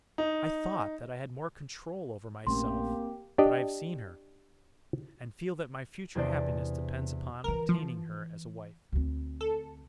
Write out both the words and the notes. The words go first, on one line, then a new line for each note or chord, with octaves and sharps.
I thought that I had more control over myself; but I have seen her, and feel that my future happiness depends upon obtaining her as a wife.
D#4
A#1 A3 A#3 C4 C#4 G4 C6
D4 G4 D5 D#5
E2 C3 D4 C5 D5
D3 E3 A#4
F3
D2 C4
A4